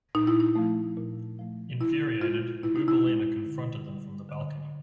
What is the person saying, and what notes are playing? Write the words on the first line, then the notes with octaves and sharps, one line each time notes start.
Infuriated, Bouboulina confronted them from the balcony.
A#2 D#4
E4
D#4
F3 A3
A#2
F3 A3
B2 E4
G#3 F4
B2 E4
D#4
E4
G#3
D3
G3
D3